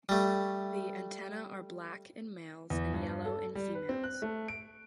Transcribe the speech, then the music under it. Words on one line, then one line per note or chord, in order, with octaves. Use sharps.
The antennae are black in males and yellow in females.
G3 A3
E2
G2
A4
G3
B4
C4
F#6
A3
D7